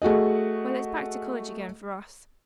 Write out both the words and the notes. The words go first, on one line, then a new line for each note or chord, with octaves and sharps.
Well, it's back to college again for us.
A3 F#4 G#4 D#5